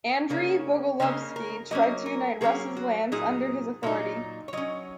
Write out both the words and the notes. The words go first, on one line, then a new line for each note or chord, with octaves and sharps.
Andrey Bogolyubsky tried to unite Rus' lands under his authority.
C#3 A#3 C#4
C#3 A#3 C#4 D#5
A#4
F#3 A#3 C#4 D#5
A#4
F#3 A#3 C#4 G#4
F#4
A#2 F#3 D#4 G#4
A#2 F#3 D#4
C#5
F#3 C#4 D#5